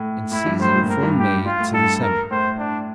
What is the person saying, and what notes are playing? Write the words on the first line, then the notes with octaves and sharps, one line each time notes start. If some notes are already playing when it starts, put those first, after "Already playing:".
In season from May to December.
Already playing: A2
A2 E4
G2
A2 C5
A#2
A2 A#4
G2
G4
G2 F4
A2
G2 A4
A#4
A2 C5
D4